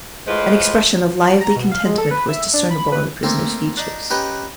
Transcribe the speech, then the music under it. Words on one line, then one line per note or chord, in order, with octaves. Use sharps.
An expression of lively contentment was discernible on the prisoner's features.
A2 G#3 F4 B4 C5
A#5
B2
F5
G#3
A4
B4
E5
D4
B5
B4
A3 A#3 C4
D4 D#4
C#4 D#4 G4 B4